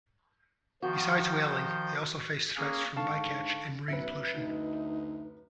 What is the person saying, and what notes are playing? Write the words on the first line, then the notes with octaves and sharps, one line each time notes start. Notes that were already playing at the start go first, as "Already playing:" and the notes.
Besides whaling, they also face threats from bycatch and marine pollution.
D#3 F3 F#4 G6
A#3 C#4 G#4
G#2 D3 F5 A5 C#6
B1 F#2 B4 E5
D2 D#4